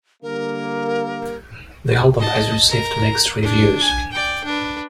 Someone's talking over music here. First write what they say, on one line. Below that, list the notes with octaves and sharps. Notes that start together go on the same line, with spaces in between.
The album has received mixed reviews.
D3 G3 A#3 A#4
D#5 A5
A#4 A#5
D4
G#5
D5 G5
D4 B4